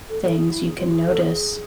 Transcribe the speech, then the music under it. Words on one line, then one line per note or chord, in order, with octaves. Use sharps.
things, you can notice
A4
A4
G#4
E4
G#4
F4
G#4
A4
G#4